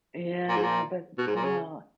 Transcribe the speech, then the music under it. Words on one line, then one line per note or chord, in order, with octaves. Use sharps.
Yeah, but, aw
A#2
G#2
A#2
B2
G#2
A#2
C#3